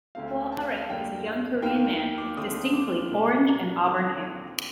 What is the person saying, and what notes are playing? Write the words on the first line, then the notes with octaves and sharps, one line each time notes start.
Hwoarang is a young Korean man with distinctly orange and auburn hair.
D2 D3 A3 C4 F5
G5
A5
F5
D#5
F5
F2 D3 G3 A#3 G5
D#2 D#3 A#3 G5
G5
D6
D#2 D3 A3 C4 D#6
D6
C2 A#2 G3
A#5
D#2 D3 F3 C4 D6